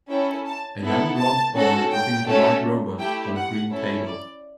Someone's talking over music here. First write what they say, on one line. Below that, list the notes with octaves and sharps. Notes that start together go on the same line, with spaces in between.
A young blond boy looking at a white robot on a green table.
C#4 E4 A4 G5
A5
B3 E4 A4
A5
C#4 F#4 A4
G5
A3 C#4 F#4 A4
A3 E4 G4 G5
F#5
C#4 E4 A4
D5